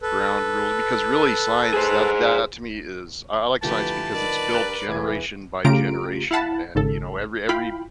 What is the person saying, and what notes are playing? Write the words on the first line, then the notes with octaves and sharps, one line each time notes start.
ground rule because, really, science, that that to me is I I like science because it's built generation by generation, and, you know, every every
A4 B4
G#4 C5
D3 E3 F3 A3 G4 B4 A5
D#3 B4 D5
G2 A#4 F#6 A6
E1 E3 D6 G#6
C#3 A3 F4 G4 A#5 D7
E4 F5 F#5 A5 B5
G#1 G#2 C#3 A4
E4 F4 F5 G5 B5